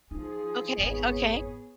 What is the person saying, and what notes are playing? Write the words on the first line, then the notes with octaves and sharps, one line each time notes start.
Okay, okay.
F3 D#4 G#4
G#1 F2 B3 G#4 C#5